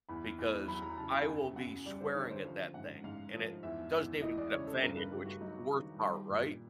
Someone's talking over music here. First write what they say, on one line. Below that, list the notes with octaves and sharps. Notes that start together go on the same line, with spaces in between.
because I will be swearing at that thing. And it doesn't even get offended, which is the worst part, right?
E2 B5
E2
F#3 B5
A#5
C#3 A5
G#5
F#2 G#5
F#2 F#5
G3 D5
C5
D3 C#5
C5
F3 F5
G#2 F#5
G#2 F5
F3
E2 E5
E2
E3 D#5
D5
C#3 C#5
A4
G2 A#4
B4
G2 G4
F#4
F#3 D#4
D#3
G3
A#2